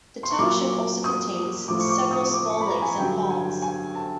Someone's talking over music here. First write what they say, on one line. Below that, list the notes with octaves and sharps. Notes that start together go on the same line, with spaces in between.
The township also contains several small lakes and ponds.
C6
C#6
A#2 F#3 D6
D#6
A2 F3 D6
C#6
D6
D#6
D6
C#6
B5
A#5
G#5
G2 D3 F#3 G5
G#5
G#5
A5